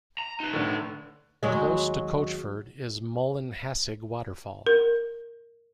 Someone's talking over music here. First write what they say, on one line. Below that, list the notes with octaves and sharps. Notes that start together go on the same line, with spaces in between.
Close to Coachford is Mullinhassig Waterfall.
A#5
D#4 B4
A2 D3
D#2 F#3 G#3
A#4